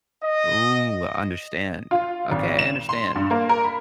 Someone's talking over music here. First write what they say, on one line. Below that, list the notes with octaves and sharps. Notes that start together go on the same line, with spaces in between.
Ooh, I understand. Okay, I understand,
D#5
F4
G#1
E7
C6
G2
A#3
A#4
B5